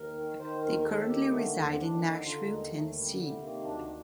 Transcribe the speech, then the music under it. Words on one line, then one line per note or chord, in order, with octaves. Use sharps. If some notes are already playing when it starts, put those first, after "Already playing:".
They currently reside in Nashville, Tennessee.
Already playing: D#2 A#4
D#3
D#3 C5
D#2 A#4
A#4
D#2 A4
D#3 G4
D3 A3
D#2 C4
D#2 D4
D3 D#4
D3 F4
F4
D#2 D#4
D#2 A3
D3 G3
C3 G3
D#3 A#3
D2 D4